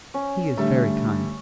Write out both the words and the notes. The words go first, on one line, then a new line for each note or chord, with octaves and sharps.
"He is very kind."
C#4
D3 G3 A3